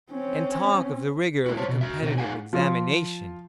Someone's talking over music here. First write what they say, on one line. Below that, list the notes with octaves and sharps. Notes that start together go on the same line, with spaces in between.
And talk of the rigour of a competitive examination!
C4 C#4
A3 E4 F#4
C5 C#5 A5
B2
F#4 E5
B2 C4 D#4
D#4 G#4 F5 F#5 G#5
F3 F4